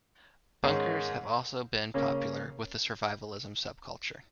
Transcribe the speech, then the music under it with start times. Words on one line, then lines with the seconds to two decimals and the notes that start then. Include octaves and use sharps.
Bunkers have also been popular with the Survivalism subculture.
0.64 G#2 D#3 G#3 C#4
1.94 C#3 A#3 C#4